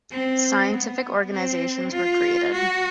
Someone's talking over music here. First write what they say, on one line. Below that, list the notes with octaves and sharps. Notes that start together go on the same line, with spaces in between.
Scientific organisations were created.
C4
B3
C4
F4
F#4